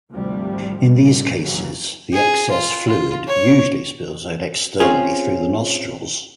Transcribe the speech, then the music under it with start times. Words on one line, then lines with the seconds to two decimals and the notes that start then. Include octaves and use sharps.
In these cases, the excess fluid usually spills out externally through the nostrils.
0.12 G#1 D2 C3 F3 G3
1.02 A2 D3 D#3 G3
1.41 F#1 D#2 C#3 E3 F#3
2.13 G#4
2.51 F4
2.88 F4
3.27 C#5
4.80 C4 C#4 F4 G#4